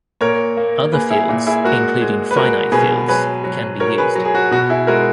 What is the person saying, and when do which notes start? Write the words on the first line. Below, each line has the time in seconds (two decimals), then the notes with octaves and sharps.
Other fields, including finite fields, can be used.
0.21 A#2 A#4 C#5
0.57 A#3
0.93 A#3 G#4 B4
1.10 E4 G#4
1.29 A#2
1.47 E4 G#4
1.65 G#3 F#4 A#4
2.01 G#3
2.31 B4
2.36 G#3 F#4 A#4
2.72 B2 G#4 B4
3.08 F#3 G#4 B4
3.44 F#3
3.80 F#3 A#4 C#5
3.98 G#4 B4
4.15 F#3
4.25 G#4
4.35 F#4
4.51 B2 F#4
4.70 E4 G#4
4.87 G#3 F#4 A#4